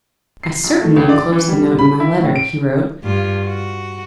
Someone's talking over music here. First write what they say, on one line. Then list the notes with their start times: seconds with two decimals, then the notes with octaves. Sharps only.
"I certainly enclosed the note in my letter," he wrote.
0.43 C7
0.64 A#1
0.82 A3
0.96 C#2
1.09 D5
1.32 E3
1.48 G3
1.79 B5
2.00 E4
2.20 A2
2.36 D7
3.03 G2 F4
3.46 F#4